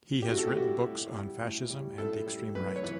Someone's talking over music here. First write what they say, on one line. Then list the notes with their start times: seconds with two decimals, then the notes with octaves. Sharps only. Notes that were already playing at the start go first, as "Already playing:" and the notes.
He has written books on fascism and the extreme right.
0.22 G4
0.28 A2 F#4
0.38 A4
0.47 G4
0.56 G3 F#4
0.85 A2
1.13 G3
1.42 A2
1.70 G3
1.98 A2 A4
2.26 G3
2.55 F#2 B4
2.76 C#5
2.83 E3 B4